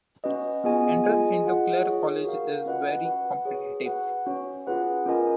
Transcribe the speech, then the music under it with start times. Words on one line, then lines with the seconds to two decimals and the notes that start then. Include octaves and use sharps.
Entrance into Clare College is very competitive.
0.24 C#4 F#4 B4 D#5
0.64 B3 F4 G#4 D#5 G#5
1.04 F4 G#4 D#5 G#5
1.45 F4 G#4 D#5 F#5
1.85 F4 G#4 C#5
2.25 F#4 A#4 F5
2.66 C#4 F4 B4 D#5 F#5
3.05 F#4 B4 F#5
3.45 G#4 C#5 G#5
3.86 F#4 B4 F#5
4.26 C#4 F#4 C#5
4.67 C#4 F4 G#4 B4 F#5
5.06 C#4 F4 A#4 D#5 G#5